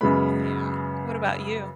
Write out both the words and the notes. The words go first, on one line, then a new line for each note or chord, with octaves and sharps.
y-yeah, what about you?
F#2 C#3 G#3 B3 B5